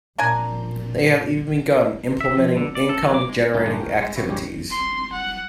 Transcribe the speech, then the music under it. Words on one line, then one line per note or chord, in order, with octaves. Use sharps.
They have even begun implementing income generating activities.
A#2 D4 A#4 G#5
E5
F3
D3
D5
A4
F#3
D6
G#3
C#2 A#2 C#4 D#4 F4
G1 G#3 A3 D4 D#4 B4
A#4 C#5 F#5 G5
G#3
E4 F#4 G4 C#5
C#2 G2 G#3 G4 C#5
C6
F#5